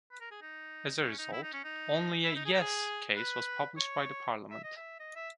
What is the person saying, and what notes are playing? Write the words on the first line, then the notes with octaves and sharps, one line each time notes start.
As a result, only a "yes" case was published by the Parliament.
B4
A#4
G#4
D#4
C#4
D#4
E4
D#4
C#4
D#4
E4
D#4
G#4
G4
G#4
B4
C#5
E5
D#5
E5
D#5
E5